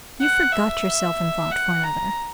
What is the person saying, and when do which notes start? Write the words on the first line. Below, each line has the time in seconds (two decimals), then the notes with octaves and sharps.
You forgot yourself in thought for another.
0.21 F#5
0.53 E5
1.51 F#5
1.84 A#5